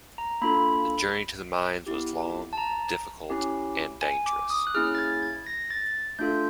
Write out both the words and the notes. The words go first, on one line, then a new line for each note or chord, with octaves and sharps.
The journey to the mines was long, difficult and dangerous.
A#5
A#3 D4 F4 A4 B5
B3 E4 G4
A5
A#5
C#4 E4 G4
G#5
D6
D#6
F#6
A#3 C#4 E4 G#4 F6
A6
G#6
G#6
A#6
A6
A3 D4 F4 A4 G6